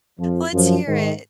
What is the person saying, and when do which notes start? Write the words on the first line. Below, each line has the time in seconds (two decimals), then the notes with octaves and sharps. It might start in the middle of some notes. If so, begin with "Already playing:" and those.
Let's hear it.
0.19 F2 F3
0.53 F#2 F3
0.88 G#2 D#3